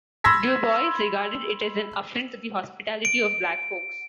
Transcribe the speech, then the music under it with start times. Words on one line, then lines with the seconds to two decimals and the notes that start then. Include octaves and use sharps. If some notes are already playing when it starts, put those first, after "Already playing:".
Du Bois, regarded it as an "affront to the hospitality of black folks".
0.24 B5 C6 E6 G#6 A#6 B6
3.05 D7